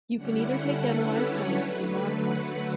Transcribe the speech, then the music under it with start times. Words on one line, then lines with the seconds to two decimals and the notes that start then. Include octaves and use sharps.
You can either take Analyzed sounds and modify them.
0.15 D3 G3 C#4 E4 F#5
0.49 A4
0.83 B4
1.17 C#5
1.50 D3 F#3 A3 B4
1.85 B4
2.19 F#5